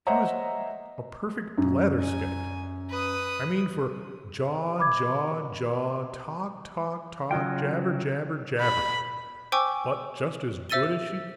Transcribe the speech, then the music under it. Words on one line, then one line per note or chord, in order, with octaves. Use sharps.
She was a perfect blatherskite; I mean for jaw, jaw, jaw, talk, talk, talk, jabber, jabber, jabber; but just as good as she could be.
C5 C#5 D#5 E5 F#5 A#5
F#2
G#5
B4 D#6
D#5 B5 D6 G#6
C#3 F#3 F4 G5
B5
C5 G5 G#5 C#6 D6 E6
C5 E5 E6 A6 D#7 G7